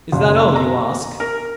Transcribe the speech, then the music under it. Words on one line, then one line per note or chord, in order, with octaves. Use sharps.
"Is that all you ask?"
F#1
A#5
A#4